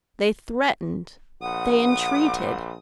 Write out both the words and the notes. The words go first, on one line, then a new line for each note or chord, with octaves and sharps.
They threatened, they entreated.
A#1 F#5 D#6